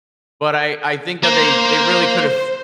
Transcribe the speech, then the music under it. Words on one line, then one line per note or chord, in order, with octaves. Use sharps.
But I I think that they they really could've
A#3 C5